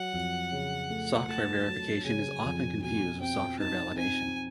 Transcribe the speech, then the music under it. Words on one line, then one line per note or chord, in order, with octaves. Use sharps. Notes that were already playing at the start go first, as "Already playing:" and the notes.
Software verification is often confused with software validation.
Already playing: F#3 F#5
F2
C#3
A3
A3 A5
F#3
C#3 G#5
F2
B2 G#5
C4 G5
D#4 A5
C4 G#5